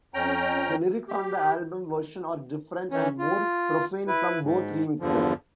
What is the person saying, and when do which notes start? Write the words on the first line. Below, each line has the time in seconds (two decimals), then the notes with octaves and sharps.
The lyrics on the album version are different and more profane from both remixes.
0.14 F2 C#4 G5 A#5
1.08 G4
2.92 E3 C#4
3.19 F4
4.07 E4 B4
4.42 G#2
5.00 E2 G2 D3 F3